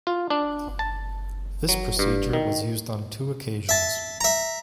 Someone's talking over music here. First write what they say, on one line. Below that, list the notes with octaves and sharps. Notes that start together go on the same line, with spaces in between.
This procedure was used on two occasions.
F4
D4
A5
F#3
G2
D#3
E5 A5
E5 A#5